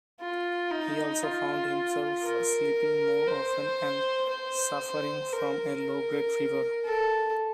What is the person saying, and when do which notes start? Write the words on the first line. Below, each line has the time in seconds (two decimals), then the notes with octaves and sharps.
He also found himself sleeping more often and suffering from a low-grade fever.
0.21 F4
0.71 D#4
1.23 F4
2.24 A#4
3.27 C5
4.29 C5
5.32 A#4
6.85 A4